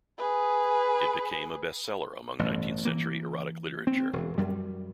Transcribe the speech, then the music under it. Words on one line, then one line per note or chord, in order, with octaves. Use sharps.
It became a bestseller among nineteenth century erotic literature.
G#4 B4
A1 G2 B2
E3 A#3
C4
E1
F#2 G3